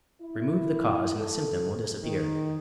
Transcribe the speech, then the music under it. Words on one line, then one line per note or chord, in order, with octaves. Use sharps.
Remove the cause and the symptom will disappear.
E4
A4
D#3